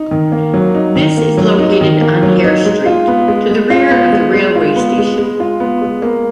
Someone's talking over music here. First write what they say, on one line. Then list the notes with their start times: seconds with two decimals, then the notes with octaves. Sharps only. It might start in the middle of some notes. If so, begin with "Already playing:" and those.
This is located on Hare Street to the rear of the railway station.
Already playing: D#4
0.11 D#3
0.32 A#3
0.54 F#3
0.75 D#4
0.96 D#3
1.17 A#3
1.37 F#3
1.59 D#4
1.81 D#3
2.01 A#3
2.23 F#3
2.44 D#4
2.65 G#3
2.86 F4
3.08 B3
3.28 G#3
3.49 G#3
3.70 F4
3.91 B3
4.12 G#3
4.34 G#3
4.56 F4
4.76 B3
4.98 G#3
5.18 G#3
5.40 F4
5.60 B3
5.81 G#3
6.02 A#3